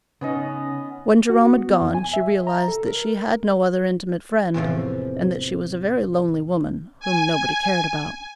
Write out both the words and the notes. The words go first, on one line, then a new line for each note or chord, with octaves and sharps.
When Jerome had gone she realized that she had no other intimate friend and that she was a very lonely woman whom nobody cared about.
C#3 B3 C#4 D#4 D#5
F#4
B3
F2
G#5
E5
A#5
A4
A#4
E2 A2 C3 F3
G#5